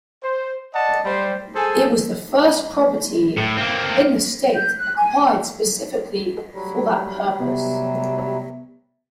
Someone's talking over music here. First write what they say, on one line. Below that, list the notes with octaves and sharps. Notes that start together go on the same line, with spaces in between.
It was the first property in the state acquired specifically for that purpose.
C5
D5 D#5 F#5 A5
G3 C5
G#4 A4 C5 G#5
A2
A#3 C4
G6
F#6
G#5
F#3 G3
C3 B3